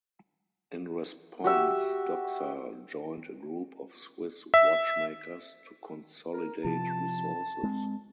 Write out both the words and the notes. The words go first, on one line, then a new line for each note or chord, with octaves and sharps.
In response, Doxa joined a group of Swiss watchmakers to consolidate resources.
F#4 G4 E5
E5
A#4
C3 F3 A5
G#3 C4